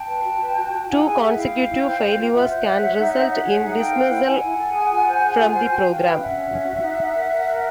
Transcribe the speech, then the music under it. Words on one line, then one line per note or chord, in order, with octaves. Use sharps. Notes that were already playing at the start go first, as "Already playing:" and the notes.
Two consecutive failures can result in dismissal from the program.
Already playing: G5 A5
B4
F#4
B4
F#4
F#4
E4 F#5 G#5
G#4 F#5 G#5
G#4 E5 F#5
E4 F5 G5
E4
E4
C5
C5
F4
F4 E5 F#5
C5
C5
C#5
D#4
D#4
C#5 E5 F#5
G#4
D#4
A4 F5 G5
C5
F#5
E4 G5
E4 F#5 G#5
E4
A4
G#4
F4
C5
G#4
F4
C5
F#4 G5
G#5
F#4 F5 G5
B4
C#4 E5 F#5
C#4
C#4
F#4
D#4
D#4
A#4
A#4
A#4